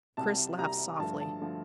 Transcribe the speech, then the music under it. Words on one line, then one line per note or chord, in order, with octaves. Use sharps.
Chris laughed softly.
C2 C3 G3 A5
C2 C3 G3 A#5
G2 D3 F3 A3 A5
A5
D3 F3 A3